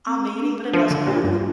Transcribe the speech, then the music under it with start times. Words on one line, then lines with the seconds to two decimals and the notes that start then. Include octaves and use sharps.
I'm meeting, but it doesn't matter.
0.07 C4
0.40 D4
0.73 F3 D4
0.91 D3
1.07 A#2 G4
1.14 F4
1.22 G2 D4
1.30 F4